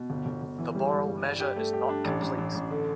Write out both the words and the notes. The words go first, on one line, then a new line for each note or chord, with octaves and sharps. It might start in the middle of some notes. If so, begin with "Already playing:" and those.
The Borel measure is not complete.
Already playing: B2
G1
G1
G1
E3
G3
G2
G2
G2
G4
A3
G4
D4
A1
A1
A1
A1
D3